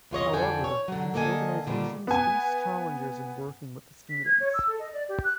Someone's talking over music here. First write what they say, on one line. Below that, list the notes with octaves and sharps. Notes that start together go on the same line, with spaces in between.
However, these organizations face challenges in working with the students.
E2 F4 C#5 D#5
F2 D3 D4 A4 G5 G#5
C#5
D3 F#3
D3 A#3 A4 D#5 G#5
A#2 D3 D#3 F3 G3
B3 G#5
B6
G#6
C#5
E6
A4
D#5
D5
G4
F#6